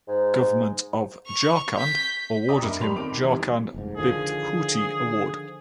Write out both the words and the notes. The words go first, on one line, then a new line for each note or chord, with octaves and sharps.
Government of Jharkhand awarded him Jharkhand Bibhuti Award.
G#2
C#6 F7
G6 B6
D5 D#5 G5 A#5 D6 D#6
F#2 A#3 D4 A#4 E5 B5
G4 D5 A5 B5 C6 F7
B1 D#3 C4 D6 D7
F2 B2 E3 G3 D#4
F1 G#2
D3 D#3 F3 G#4